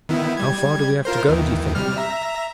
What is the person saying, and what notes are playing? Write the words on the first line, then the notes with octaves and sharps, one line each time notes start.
"How far do we have to go do you think?"
D#3 B3 E4
G3 G#6
F4 A#4 C5
D#2 D#3 E3
C3 G3 F6
E5 A#5